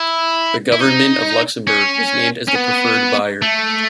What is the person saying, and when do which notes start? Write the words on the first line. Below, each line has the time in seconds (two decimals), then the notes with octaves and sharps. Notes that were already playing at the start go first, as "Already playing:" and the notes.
The government of Luxembourg was named as the preferred buyer.
Already playing: E4
0.72 E4
0.80 D#4
1.67 C#4
2.48 C#4
2.55 B3
3.42 A3